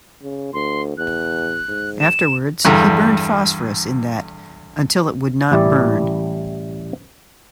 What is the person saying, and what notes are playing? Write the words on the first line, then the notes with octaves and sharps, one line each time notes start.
Afterwards, he burned phosphorus in that, until it would not burn.
C#3
D2 C6
E2 F#6
G#2
E7
E2 G2 D3 A#5
A1 G3 E4 D5